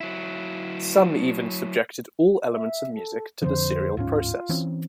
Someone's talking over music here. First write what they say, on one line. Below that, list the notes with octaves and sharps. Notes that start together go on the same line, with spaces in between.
Some even subjected all elements of music to the serial process.
F#3 E4
E5
A4
F2 D3 F3 C5
D1 G#2 C#4 F4
E3 C4 C#4